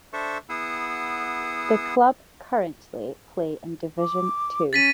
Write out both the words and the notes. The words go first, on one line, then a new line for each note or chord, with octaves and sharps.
The club currently play in Division Two.
D4 A4 C5 E5 C#6 E6
B3 E4 G#4 F#5 D#6 E6
D6
C#4 A6 B6 D#7